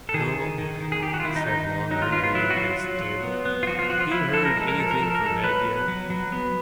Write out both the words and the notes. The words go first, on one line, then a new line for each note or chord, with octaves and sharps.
"Tom," said Longley, leaning against the table, "you heard anything from Ed yet?"
A4
D#3 G#4
D#3
D#3
D#3
G#4
D#3 G4
F#4
F4
D#3 E4
D#4
D#3 D#4
D#3
F#3 D#4
F4
B3 F4
F4
F#3 E4
F#4
F#3 F4
F#3
F#3
B3
B3
F4
F3 F#4
F4
F3 F#4
F4
F3 E4
F3 A4
A#4
G#3 A4
A#4
F3 A4
A#4
F3 A4
A#4
G#3 A4
F#3 B4
B3
F#3
F#3
B3